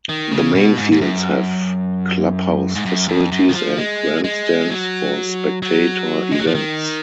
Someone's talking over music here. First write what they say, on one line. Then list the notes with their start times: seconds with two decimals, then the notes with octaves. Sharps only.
The main fields have clubhouse facilities and grandstands for spectator events.
0.09 D#3
0.32 C#3
0.55 B2
0.78 G#2
0.92 G#2
1.01 F#2
2.75 G#2
2.86 F#2
3.09 F2
3.32 F#2
3.49 D#3
3.55 F3
3.78 G#3
4.24 G#3
4.70 F#3
5.62 F#3
6.31 G#3
6.39 F#3
6.47 F3
6.55 D#3